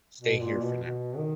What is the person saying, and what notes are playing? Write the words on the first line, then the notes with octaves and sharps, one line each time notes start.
Stay here for now.
B2
A#2
B2
B2
D#3